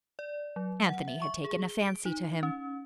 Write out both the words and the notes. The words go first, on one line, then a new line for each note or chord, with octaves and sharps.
Anthony had taken a fancy to him.
D5
F#3
F#5
E5
C#6
G#4
G7
D7
D#4
C#4